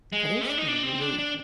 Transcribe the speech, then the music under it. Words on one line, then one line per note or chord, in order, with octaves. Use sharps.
but it's really
G#3
D4
D#4
D4
C4
D4
D4